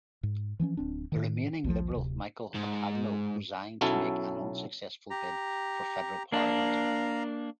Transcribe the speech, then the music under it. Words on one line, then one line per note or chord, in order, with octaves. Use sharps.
The remaining Liberal, Michael Maccagno, resigned to make an unsuccessful bid for federal parliament.
G#2
E3 F3 B3 C#4
D1 C4 D4
A2 D#3
A#1 D#2 E3 F3
D1 C3
G#2
B1 F#3 C#4 E4 A4
G4 A#5
A#3 D4 F5 A#5